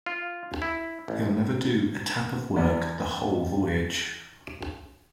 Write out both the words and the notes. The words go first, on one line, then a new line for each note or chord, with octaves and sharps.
He'll never do a tap of work the whole Voyage.
F4
E4
A1
E2 B3 D5